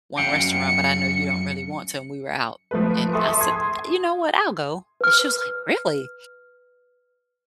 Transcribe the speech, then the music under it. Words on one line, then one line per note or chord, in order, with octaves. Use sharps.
one restaurant, but I know you don't really want to," and we were out, and I said, "You know what? I'll go," and she was like, "Really?"
F#2 F5 G5 C#7
F3 A3 A4 B4
A4 E5 C6 C#6 D#6
C6 D#6 G#6
B4 F6